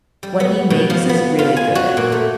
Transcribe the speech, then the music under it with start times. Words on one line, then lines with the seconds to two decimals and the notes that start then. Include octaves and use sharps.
what he makes is really good.
0.23 G3
0.40 B3
0.70 B2
0.90 F3
1.09 B3
1.39 F4
1.56 G#5
1.75 F#4
1.97 A#2
2.12 A3